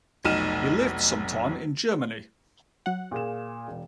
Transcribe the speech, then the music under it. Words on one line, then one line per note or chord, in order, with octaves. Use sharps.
He lived some time in Germany.
F1 B1 D#4 F6 D#7 E7
F#3 F#5
A#2 G#4 E7
E1